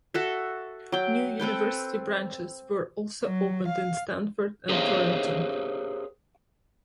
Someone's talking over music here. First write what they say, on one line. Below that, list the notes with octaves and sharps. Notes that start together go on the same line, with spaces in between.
New university branches were also opened in Stamford and Torrington.
F#4 A4 E5
F#3 G5
C4 A4 B4 G5
F#3
F5
G4 G#4 A#4 C5 C#5 F5